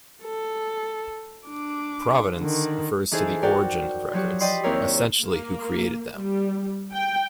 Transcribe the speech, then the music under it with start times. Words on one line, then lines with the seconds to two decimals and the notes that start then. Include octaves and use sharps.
Provenance refers to the origin of records, essentially who created them.
0.24 A4
1.46 D4 D6
2.39 D3 D#3
3.11 E3 D#4 G#4 A4 C5
3.43 F#4 A#4 D5 G5
4.13 F3 F#3 F#4 G4
4.40 D5 D#5 G5 B5 C6
4.63 D#2 C4 E4 G4 A#4 C#5
5.24 A#3
6.18 G3
6.94 G5